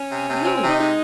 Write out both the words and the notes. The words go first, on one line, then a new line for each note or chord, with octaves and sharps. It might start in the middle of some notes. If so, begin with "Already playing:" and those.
"But who?"
Already playing: C#4
C3
C3
C4 C#4
C#4
C3
D#4
G#3 D#4